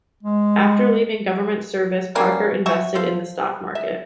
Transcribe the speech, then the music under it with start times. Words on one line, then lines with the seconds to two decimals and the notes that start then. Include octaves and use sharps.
After leaving government service, Parker invested in the stock market.
0.23 G#3
2.15 E3 G3 A#3 C#4
2.66 C4 F#4 E5 C#6
2.95 A4 C5 F5
3.75 E5